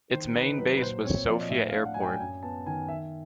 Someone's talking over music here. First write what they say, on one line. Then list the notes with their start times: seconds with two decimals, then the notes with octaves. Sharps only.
Its main base was Sofia Airport.
0.12 D#3 C5
0.36 D#4 B4
0.58 F#3 B4
0.77 B4
0.82 A#2 C5
1.05 C4 C#5
1.28 F3 D5
1.41 D#5
1.50 A2 E5
1.68 F5
1.74 D4
1.85 F#5
1.94 F#3 G#5
2.03 G5
2.20 F#2 G#5
2.43 B3 A5
2.66 D#3 G#5
2.88 D#3 E5